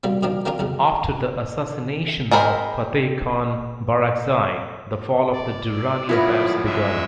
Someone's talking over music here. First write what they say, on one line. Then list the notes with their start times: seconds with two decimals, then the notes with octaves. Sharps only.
After the assassination of Fateh Khan Barakzai the fall of the Durrani Empires begun.
0.04 B2 G3 A#3 C4
0.23 B2 D#3 F3 A#3 D4
0.45 A#3 C4 D4 F4 A#4
0.59 B1 F#2 C#3
2.31 G#3 C4 A#4 B5
5.33 D5
6.09 F3 F#3 B3 E4 F4 A#4 B4
6.66 F#2 G#3 E5